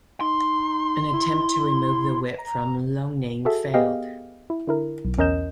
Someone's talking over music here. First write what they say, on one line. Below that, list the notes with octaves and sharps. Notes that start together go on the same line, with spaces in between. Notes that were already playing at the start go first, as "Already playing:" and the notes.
An attempt to remove the whip from Loughnane failed.
D#4 C6
E4
A#5
F#4 G#4 A4 E5
B3 G4 G#4 D#5 F5 G5
E4
D3 E4 A#4
B1
E2 C#4 A#4 D#5 G6 E7